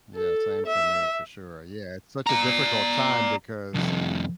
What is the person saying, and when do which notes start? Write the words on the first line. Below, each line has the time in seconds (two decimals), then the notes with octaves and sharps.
yeah, same for me, for sure, yeah. It's such a difficult time because
0.16 A4
0.67 E5
2.27 D5 A#5
3.74 C2 F2